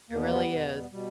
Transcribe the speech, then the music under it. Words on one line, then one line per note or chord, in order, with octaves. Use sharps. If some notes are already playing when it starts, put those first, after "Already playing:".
It really is.
E2 B2 A#3
A#3
G3 B3
E2 B2
B2 G3